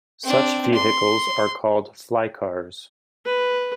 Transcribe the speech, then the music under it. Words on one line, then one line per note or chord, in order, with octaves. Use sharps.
Such vehicles are called fly-cars.
C4 D4
C6
B4